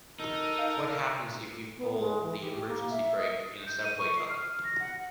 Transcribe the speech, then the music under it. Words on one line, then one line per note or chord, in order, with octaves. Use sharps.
What happens if you pull the emergency brake in a subway tunnel?
D#4 A4 A#4
F5
B3
G#3
E3
G4
G4
A#3
E5
D#5
G6
D#7
C#6
C7
F6
A#6
F#5
F#5